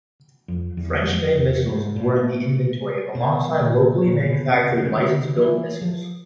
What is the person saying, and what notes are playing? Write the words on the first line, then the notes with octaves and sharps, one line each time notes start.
French-made missiles were in the inventory, alongside locally manufactured licence-built missiles.
F2
E2
F2
E2
G#2
A2
B2
A#2
A#2
B2
C3
C#3
D3
C#3
D#3
E3
F3